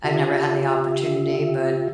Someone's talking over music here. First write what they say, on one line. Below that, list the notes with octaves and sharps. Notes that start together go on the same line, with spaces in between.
I've never had the opportunity, but
C#3 F4 G4 E5